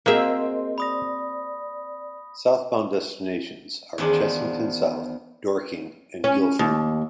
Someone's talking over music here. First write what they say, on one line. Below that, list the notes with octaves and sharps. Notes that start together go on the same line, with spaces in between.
Southbound destinations are Chessington South, Dorking and Guildford.
A#3 C4 F#4 G#4 A#4 D#5 E5
D5 B5 D#6 A#6
E2 D#3 F3 D4
C#4
D#2